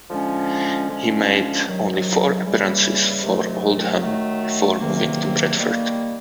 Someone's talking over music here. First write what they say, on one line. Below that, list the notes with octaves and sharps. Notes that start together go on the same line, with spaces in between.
He made only four appearances for Oldham before moving to Bradford.
D3 F3 G#3 C#4
D3 F3 G#3 C#4
C3 D#3 F#3
C#3 E3 G3 A#3
C3 D#3 F#3 A3
D#3 F#3 A3
E2 C3 D#3 F#3 A#3
D#3 G3 A#3